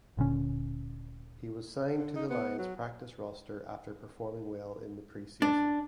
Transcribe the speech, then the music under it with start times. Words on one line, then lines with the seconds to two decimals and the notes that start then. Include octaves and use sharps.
He was signed to the Lions practice roster after performing well in the preseason.
0.17 D1 A#2 D3 C#4
1.96 D3
2.15 D#4
2.30 B3
2.58 F#3
5.42 D4